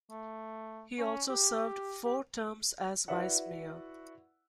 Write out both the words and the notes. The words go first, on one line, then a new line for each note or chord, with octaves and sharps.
He also served four terms as vice-mayor.
A3
C#4
G4
G4
E4 F#4 B4 D5 E5 F#5